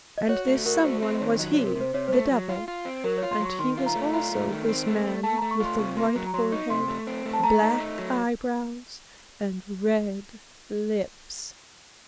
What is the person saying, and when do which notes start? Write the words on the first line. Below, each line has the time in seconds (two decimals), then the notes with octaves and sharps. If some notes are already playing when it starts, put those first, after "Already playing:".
And this someone was he--the devil--and he was also this man with the white forehead, black eyebrows, and red lips.
0.18 D#5
0.29 F#4 C#5
0.47 A3
0.66 F#4 A#4
0.84 A3 C5
1.02 C4
1.15 D#5
1.21 D#3 C#5
1.39 F#3 D#5
1.53 C#5
1.57 C3
1.67 A#4
1.75 C3
1.81 C5
1.94 C3 C#5
2.08 C5
2.12 A3
2.31 F#3
2.49 F4
2.68 F4
2.85 C4
3.04 F#3 A#4
3.17 C#5
3.22 F4
3.31 C6
3.40 F#3
3.45 C#6
3.59 D#3 C6
3.78 F4
3.86 A#5
3.95 A3
4.13 F4 A#5
4.32 A3
4.51 D#3
4.68 C4
4.87 A3
5.06 A3
5.23 A3 A5
5.38 A#5
5.42 A3
5.51 C#6
5.60 F4 C6
5.79 C3 C#6
5.97 A#3 C6
6.15 F#3 A#5
6.27 A#5
6.34 F#3 C6
6.52 D#4 C#6
6.70 C3 C6
6.88 A3
7.07 C4
7.25 A3
7.33 A5
7.43 A3 A#5
7.62 D#4
7.80 A3
7.99 F#3